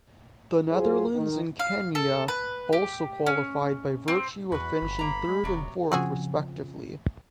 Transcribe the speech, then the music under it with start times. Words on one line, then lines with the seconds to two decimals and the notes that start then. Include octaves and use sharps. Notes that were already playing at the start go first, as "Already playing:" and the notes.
The Netherlands and Kenya also qualified by virtue of finishing third and fourth respectively.
0.71 F#3 F4 G#4 C5
1.15 D#3
1.59 F5
1.95 A4
2.28 B4
2.73 G4
3.26 C#4
4.08 C4
4.52 E2 F#4 B4 B5
4.82 G1
4.99 A#3 A#5
5.28 G#3
5.44 E1 C3 F#3
5.92 C#3 F3 C4 F#4 G#4